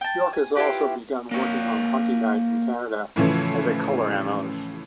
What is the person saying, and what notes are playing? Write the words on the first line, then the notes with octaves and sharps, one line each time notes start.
York also has begun working on Hockey Night in Canada as a colour analyst.
G5 A5
G#5
E4 F4 G4 B4
A#3 C#5
A2 C#3 E3 F3 C#4 A4